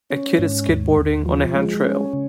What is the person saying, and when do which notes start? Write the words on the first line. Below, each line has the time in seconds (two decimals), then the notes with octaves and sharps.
A kid is skateboarding on a handrail.
0.10 C#4
0.39 G#2
0.68 D#2
0.97 D#2
1.25 F3
1.55 G#3
1.85 C#4
2.13 C#3